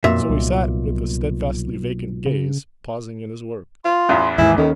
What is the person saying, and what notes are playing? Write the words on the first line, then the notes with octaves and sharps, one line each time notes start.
So he sat, with a steadfastly vacant gaze, pausing in his work.
B1 F2 A#2 E5
C2
C#3
F4 C6
A1 E2
D#2 G#2 E3 E4 G#5
D#2 D#3 C#4 A4